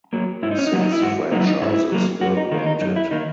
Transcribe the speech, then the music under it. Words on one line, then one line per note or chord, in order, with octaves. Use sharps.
Six franchises were granted.
F#3 A#3
G#2 E4
D#4
C#4
D#4
F#3 A#3
D#4
E4
G#2 F#4
F#3 A#3 D#4
E4
D#4
G#2 E4
F#3 A#3
F#2 F#4
D#4
D#3 A#3 D#4
D#4
F#2 D#4
E4
D#3 A#3 D#4